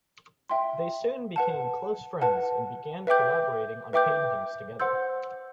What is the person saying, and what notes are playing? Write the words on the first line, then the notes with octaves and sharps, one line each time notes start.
They soon became close friends and began collaborating on paintings together.
E5 G5 C6
B4 F#5 A5
B4 F#5 A5
B4 E5 G5 D6 G6
B4 E5 G5 D6 G6
C5 F#5 C6 E6 G6